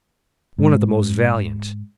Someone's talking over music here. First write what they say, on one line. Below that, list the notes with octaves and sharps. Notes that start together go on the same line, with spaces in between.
One of the most valiant.
G#2